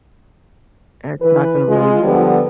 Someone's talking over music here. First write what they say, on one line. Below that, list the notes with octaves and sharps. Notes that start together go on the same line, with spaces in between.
that's not gonna really m
E3 B4
G#3 F4
D3 F3 G3 B3